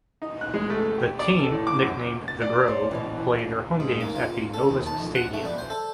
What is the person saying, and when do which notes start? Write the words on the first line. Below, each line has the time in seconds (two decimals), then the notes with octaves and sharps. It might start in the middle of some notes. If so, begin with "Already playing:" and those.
The team, nicknamed "The Grove", play their home games at The Novus Stadium.
0.22 D#4
0.41 F#6
0.54 G#3
0.70 A3
0.98 G4
1.19 D5
1.39 A4
1.51 A2
1.67 D6
1.82 F#2
2.28 A6
2.42 D5
2.68 C5 C#5
2.91 B2 E3
3.39 F4
3.80 G#2
4.01 A#3
4.16 F4
4.54 A4
4.69 D#2
4.86 A5
5.00 F2
5.15 F#5
5.33 A3
5.45 G3
5.58 C5
5.70 A4